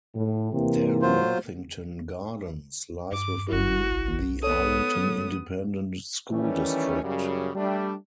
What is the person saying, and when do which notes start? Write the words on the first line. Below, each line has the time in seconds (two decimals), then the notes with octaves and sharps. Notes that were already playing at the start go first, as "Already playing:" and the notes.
Dalworthington Gardens lies within the Arlington Independent School District.
0.15 A2
0.52 C3 E3 A#3
1.02 F#3 F4 C5
3.12 G2 D6
3.49 G1 E4 F#4
3.91 B1
4.43 B3 A4 C#5 D#6
4.95 F#3
6.32 D#3 E3 G3 A3 C#4
7.03 F#2 C#3 G3
7.55 G3 A3 D4 G4